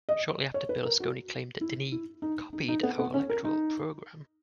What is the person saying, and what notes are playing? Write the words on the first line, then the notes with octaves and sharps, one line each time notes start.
Shortly after Berlusconi claimed that Dini "copied our electoral programme".
D#5
C#5
B4
A#4
F#4
E4
E4
D#4
D#4
D#4
B3
B3
C#4
A#4
D#4